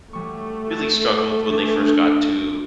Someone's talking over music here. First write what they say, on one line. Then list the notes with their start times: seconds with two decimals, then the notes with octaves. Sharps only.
really struggled when they first got to
0.13 F#3 G3 A3 C#6
0.67 F#4 A4
1.49 D4 G#4 A4